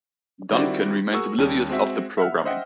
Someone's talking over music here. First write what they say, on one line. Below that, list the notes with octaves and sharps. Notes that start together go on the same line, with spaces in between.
Duncan remains oblivious of the programming.
D#3 G3 C4 E4 F#4 D5
F#4 G#4 A#4 F#5 C#6 E6
D#2 G3 C#4
G#3 C4 F#4 E5
E5 F#5 F6
C5 D#5 E5 F#5 G5